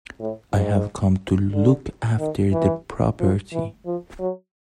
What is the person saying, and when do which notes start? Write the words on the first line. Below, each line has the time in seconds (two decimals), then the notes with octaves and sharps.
I have come to look after the property.
0.20 A2
0.52 G#2
1.52 D3
2.19 D#3
2.52 E3
3.20 F3
3.52 E3
3.85 F3
4.19 F#3